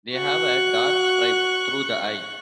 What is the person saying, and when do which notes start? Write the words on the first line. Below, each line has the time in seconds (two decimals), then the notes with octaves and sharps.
They have a dark stripe through the eye.
0.15 F#4 C#6 F#6